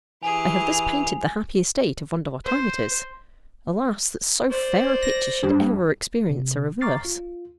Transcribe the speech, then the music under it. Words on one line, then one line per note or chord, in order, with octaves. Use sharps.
I have thus painted the happy estate of Vondervotteimittiss: alas, that so fair a picture should ever experience a reverse!
E3 G4 G#4 G#5 F7
C5
C5 D5
A#6
G2
C3
A#5 C#6 D6 F6 A6 C7
F4